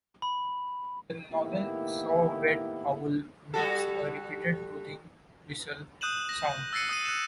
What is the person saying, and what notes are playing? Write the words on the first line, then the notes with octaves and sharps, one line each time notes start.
The northern saw-whet owl makes a repeated tooting whistle sound.
B5
A2 D#3 A#3 B3 E4 G4
G3 F#4 A4
D#6 F#6 G6 D#7 E7 F#7
A#6
E6 A6 A#6 C7 C#7 D#7
D#6 F#6 D#7
F#6 E7